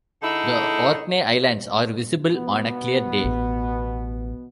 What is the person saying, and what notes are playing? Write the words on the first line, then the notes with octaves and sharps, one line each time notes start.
The Orkney Islands are visible on a clear day.
D3 D#4 E4 G#4 A4
B2 B3
A1